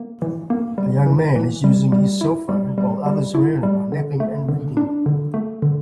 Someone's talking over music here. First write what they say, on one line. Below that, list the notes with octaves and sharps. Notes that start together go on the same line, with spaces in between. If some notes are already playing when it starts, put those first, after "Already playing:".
A young man is using his cellphone while others around him are napping and reading.
Already playing: A#3
E3
A#3
G3
E3
E3
G3
G3
E4
G3
G3
G3
E4
G3
D3
A3
D3
D4
D3
A3
D3